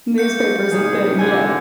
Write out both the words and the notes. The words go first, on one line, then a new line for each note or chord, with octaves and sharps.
Newspaper's a thing. Yeah.
A3 A#3 F#5 G6 C#7
A2 C3 D#3 A#3 D#4 G#4
F2 D3 G#5